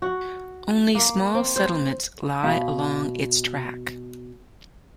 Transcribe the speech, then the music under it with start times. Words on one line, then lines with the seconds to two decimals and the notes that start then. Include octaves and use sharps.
Only small settlements lie along its track.
0.02 F#4
0.95 A#3
1.35 C4
1.56 C5
2.44 B2 F5